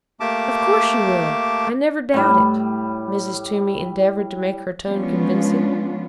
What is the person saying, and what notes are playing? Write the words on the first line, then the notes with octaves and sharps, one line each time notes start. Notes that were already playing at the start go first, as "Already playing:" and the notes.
"Of course, you will--I never doubt it." Mrs. Toomey endeavored to make her tone convincing.
A3 A#3 G4 A5 D6
A2 G3
F3 G#3 B3 C#4 D4 F4